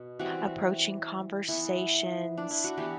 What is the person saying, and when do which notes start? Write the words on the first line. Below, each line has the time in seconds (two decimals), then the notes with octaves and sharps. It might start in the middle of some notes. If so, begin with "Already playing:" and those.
approaching conversations,
Already playing: B2
0.19 E3 G3 C4 F#4
1.48 E3 B3 E4
2.37 D4
2.51 E4
2.64 F#4
2.77 E3 B3 G4